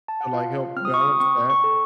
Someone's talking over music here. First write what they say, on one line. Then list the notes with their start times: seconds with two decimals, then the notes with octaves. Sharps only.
to, like, help balance that.
0.08 A5
0.21 F#5
0.33 F4 F5
0.76 C4 F6
0.85 D#6
0.94 C#6
1.01 D#6
1.20 C4 C#6
1.50 C#6
1.64 A4